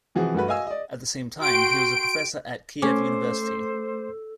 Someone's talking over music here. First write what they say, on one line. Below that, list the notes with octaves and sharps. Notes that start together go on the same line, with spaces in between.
At the same time, he was a professor at Kyiv University.
C3 E3 F3 F#4 G#4
G2 A3 F#4 B4
F#4 D#5 F5 G#5 E6
D5 D#5
F#4 G5 C6 D7
A3 C#4 A4 C5 D6